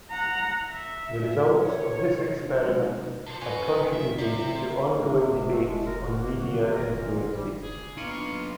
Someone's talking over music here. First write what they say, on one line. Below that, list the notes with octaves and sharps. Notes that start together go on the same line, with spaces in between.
The results of this experiment have contributed to ongoing debates on media influences.
F#5 A#5
E5
C#5
D#3 C4
F#3 G#3 A#4
D#4 F#4 A#4
D3 F3
C#4 F4 F#4 B4 G#5
E5
C3 F4 D5
C4 E5
A#3
C3
A3
G#3
A#4
F#4
A#3
F#4
C3
A#4
A#2
G3
G#4
A#3 B3 D4 D#4 F4 B4 C#6